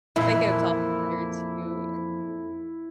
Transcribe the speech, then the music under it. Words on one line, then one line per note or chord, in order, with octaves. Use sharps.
I think it's all better to
F2 A#2 E3 E4